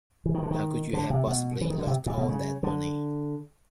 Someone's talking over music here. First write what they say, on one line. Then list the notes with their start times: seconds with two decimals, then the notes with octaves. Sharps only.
How could you have possibly lost all that money?
0.26 E3
0.34 D#3
0.43 D3
0.51 D#3
0.93 D3
1.10 C3
1.27 B2
1.61 E3
1.70 D#3
1.78 D3
1.87 C3
2.06 A#2
2.18 B2
2.29 C#3
2.63 D3